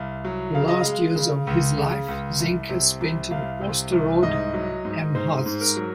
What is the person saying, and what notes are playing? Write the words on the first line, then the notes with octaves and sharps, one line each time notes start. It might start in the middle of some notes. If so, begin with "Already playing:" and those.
The last years of his life Zenker spent in Osterode am Harz.
Already playing: C2 F5
F#3
C#3 F5
D#5
G#3 F5
C#3
C#2
C#3
C#2
C2
C3
C2
C2 F5
C3
C2
G#2 D#5
F#3
G#2
G#2 C5
G#2
A#4
F#3